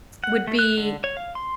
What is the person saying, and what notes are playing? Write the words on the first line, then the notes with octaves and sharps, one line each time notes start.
would be
F#5
A3
F#6
D3
C#5
F5
C6